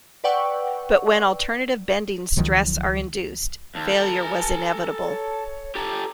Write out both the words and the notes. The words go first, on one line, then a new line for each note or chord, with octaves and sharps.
But when alternative bending stress are induced, failure was inevitable.
B4 D5 F#5 G5 C#6 E6
C#2 D#3 F3 F#3
D#2 A5
A4 A#5
G#5
C#5
G4 A4 A#5